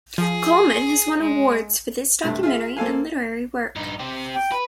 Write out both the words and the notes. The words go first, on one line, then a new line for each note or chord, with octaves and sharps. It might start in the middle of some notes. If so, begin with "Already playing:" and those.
Coleman has won awards for this documentary and literary work.
F3 G#4
G#3
G2 C3 A3
F4 G#4 E5
A#3 C4 A4 F5 G#5
G2 D#4
C4 G4
G5
B4